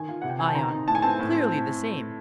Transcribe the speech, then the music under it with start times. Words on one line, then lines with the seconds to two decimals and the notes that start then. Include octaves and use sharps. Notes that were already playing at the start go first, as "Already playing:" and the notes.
ION: Clearly the same.
Already playing: D#3 G#5
0.08 F4
0.22 C3 F#5
0.30 G5
0.39 C4 G#5
0.48 A5
0.55 D#3 A#5
0.71 D#4
0.88 A2 A5
0.95 G#5
1.02 C4 A5
1.19 A2
1.35 C4